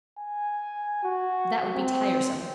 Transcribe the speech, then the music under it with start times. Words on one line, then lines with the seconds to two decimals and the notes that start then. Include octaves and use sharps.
That would be tiresome.
0.19 G#5
1.03 F#4
1.76 C4